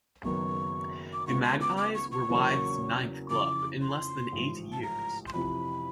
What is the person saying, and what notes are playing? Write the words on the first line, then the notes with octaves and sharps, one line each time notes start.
The Magpies were Withe's ninth club in less than eight years.
F#1 F#2 D#3 F#3 B3 C#6
D6
C#2 C#3 F3 G#3 B3 C#6
C6
D6
D6
C#6
C#6
E2 C#3 F#3 A#3 C#4
F2 C#3 E3 D6
C6
A1 G#2 F3
A5
A#5
C6
F2 C3 E3 B5